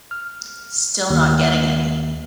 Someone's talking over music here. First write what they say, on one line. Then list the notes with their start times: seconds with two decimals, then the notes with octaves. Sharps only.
Still Not Getting Any...
0.11 F6
1.10 D#2